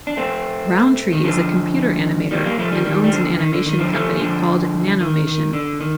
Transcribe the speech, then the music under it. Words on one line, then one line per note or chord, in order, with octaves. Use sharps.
Rowntree is a computer animator, and owns an animation company called Nanomation.
D4
A3 C4
D#3
D3 F3
D#3 G3
G3 A#3
F3 A3
D#3 G3
D#3 G3
G3
D3 F3
D#3
D3
D#3
D3 F3
F3 A3
D3 F3
D#3
D#3
D3
D#3